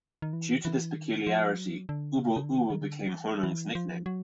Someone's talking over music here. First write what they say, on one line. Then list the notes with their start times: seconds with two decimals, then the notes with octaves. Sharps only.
Due to this peculiarity, "Ubbo Ubbo" became Hornung's nickname.
0.22 D#3
0.33 E3
0.65 E3
0.96 D#3
1.27 F3
1.58 F#3
1.89 D3
2.20 C#3
2.36 C#3
2.44 D3
2.50 D#3
2.70 D#3
2.82 D3
3.07 F3
3.12 E3
3.40 D#3
3.43 E3
3.75 F3
4.06 F#3